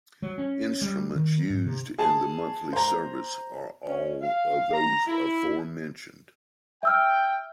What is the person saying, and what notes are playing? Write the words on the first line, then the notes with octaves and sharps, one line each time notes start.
Instruments used in the monthly service are all of those aforementioned.
F#3
C#4
G3
D#3
G#2
C3
G#4 A5
C5 A#5
C#4
F5
A#5
E4
E5 G5 E6 F6